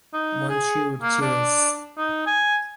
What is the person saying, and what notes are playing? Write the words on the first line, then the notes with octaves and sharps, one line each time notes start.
Monsieur chasse!
D#4
G#4
A#3
D4
D#4
G#5